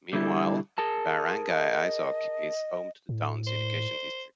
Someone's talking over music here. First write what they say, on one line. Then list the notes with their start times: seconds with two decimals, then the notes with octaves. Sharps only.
Meanwhile, Barangay Isok is home to the town's education district.
0.13 D3 G3 E4
0.78 G#4 A#4 A5
1.55 D#5
3.09 A2
3.47 C5